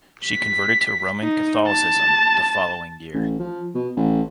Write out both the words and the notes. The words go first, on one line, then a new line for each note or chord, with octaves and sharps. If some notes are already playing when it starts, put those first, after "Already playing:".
She converted to Roman Catholicism the following year.
B6
D#4
A5
A1
F3
B2
A1